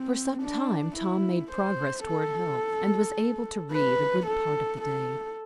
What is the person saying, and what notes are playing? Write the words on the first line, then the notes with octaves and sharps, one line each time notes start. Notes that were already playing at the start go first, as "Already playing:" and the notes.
For some time Tom made progress toward health, and was able to read a good part of the day.
Already playing: C4
D4
E4
C5
A4
B4
A4
A4